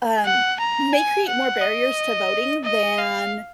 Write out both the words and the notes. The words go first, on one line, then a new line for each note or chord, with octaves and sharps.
um, may create more barriers to voting than
F#5
A#5
G#5
F#5
D#5
D#5
F5